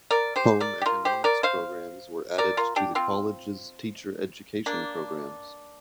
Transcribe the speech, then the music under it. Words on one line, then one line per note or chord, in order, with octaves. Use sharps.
Home economics programs were added to the college's teacher education programs.
A#4 D5
G4 C5
A#4 D5
G4
F4 A#4
G4 C5
A#4 D5
C5 F5
A#4 D5
F4 A#4
D4 G4
C4 F4
A#3 D4